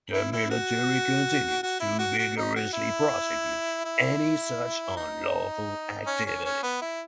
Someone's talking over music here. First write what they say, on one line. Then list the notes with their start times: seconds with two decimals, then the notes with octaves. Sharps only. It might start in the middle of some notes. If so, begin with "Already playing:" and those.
The military continues to vigorously prosecute any such unlawful activity.
0.13 E4
0.32 E4
0.50 F#4
1.63 F#4
1.80 E4
1.99 F#4
2.18 F#4
2.37 D#4
2.55 F#4
2.73 E4
3.85 E4
4.97 D#4
6.07 C#4
6.26 C#4
6.45 C#4
6.63 B3
6.82 E4